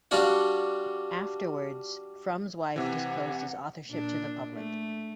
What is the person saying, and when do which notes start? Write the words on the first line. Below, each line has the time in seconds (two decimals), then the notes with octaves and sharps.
Afterwards, Frum's wife disclosed his authorship to the public.
0.11 G3 D4 F4 F#4 F#5
2.76 C3 E3 F#5
3.88 A#2 D4
4.54 A3